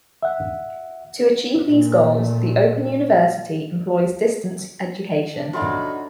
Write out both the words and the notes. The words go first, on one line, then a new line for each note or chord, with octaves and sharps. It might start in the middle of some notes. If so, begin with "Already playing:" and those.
To achieve these goals, the Open University employs distance education.
E5 F#5
A#2 A3
D4
F#3 A3 D4 D#4 F4 F#4 B5 C6